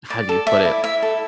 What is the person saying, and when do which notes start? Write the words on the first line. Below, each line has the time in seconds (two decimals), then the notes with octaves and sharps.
how do you put it?
0.10 D5
0.29 A4
0.47 D5 E5
0.65 E4
0.84 E4 E5
1.02 A4